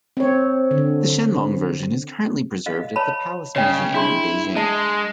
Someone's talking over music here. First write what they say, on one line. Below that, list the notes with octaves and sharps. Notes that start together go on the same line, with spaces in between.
The "Shenlong" version is currently preserved at the Palace Museum in Beijing.
C4 C#5
D3
D#5 F5
C#5 A5 B5
C#3 C#5 D#5 G5
D4 E4 G#4 C6
G#3 D#5 A5